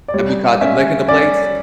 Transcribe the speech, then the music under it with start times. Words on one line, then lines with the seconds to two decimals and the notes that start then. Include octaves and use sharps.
Have you caught them licking the plates?
0.08 D5
0.14 G3 C#5
0.61 C#4 E5
1.08 C#4 D5